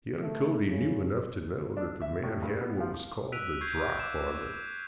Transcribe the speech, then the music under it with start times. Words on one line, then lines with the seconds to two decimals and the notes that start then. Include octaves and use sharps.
Young Cody knew enough to know that the man had what was called the "drop" on him.
0.22 A3
0.68 C#3
1.77 D4
2.02 E5
2.23 A2
2.43 G2
2.61 B3
2.80 F3
3.32 E6 F#6 B6 D7 D#7 F7
3.61 C#6 G6 G#6 C7
4.00 D6 E7